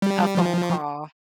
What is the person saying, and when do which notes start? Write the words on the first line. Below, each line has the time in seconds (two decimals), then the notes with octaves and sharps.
A phone call.
0.02 G3
0.37 F3